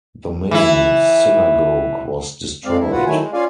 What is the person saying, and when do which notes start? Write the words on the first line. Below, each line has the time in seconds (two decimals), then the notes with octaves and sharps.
The main synagogue was destroyed.
0.51 E3 E4
2.65 F2 G#3 C4 D5 F5
2.78 G2 E4
2.92 F4 F#4 B4 F#5
3.06 D#3 F#3 A3 E4 G#5
3.20 G#3
3.33 C#4 F4 D5 F5 G#5